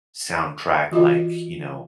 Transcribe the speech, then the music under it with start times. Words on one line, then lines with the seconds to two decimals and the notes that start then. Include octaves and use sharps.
soundtrack, like, you know
0.92 E3 F4 F#4 D#5